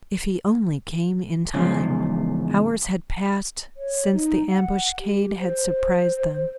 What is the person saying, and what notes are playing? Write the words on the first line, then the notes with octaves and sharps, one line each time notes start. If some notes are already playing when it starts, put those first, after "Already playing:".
If he only came in time! Hours had passed since the ambuscade had surprised them.
E2 G#2 C#3 F3
C#5
D#4
F#5
G4
C5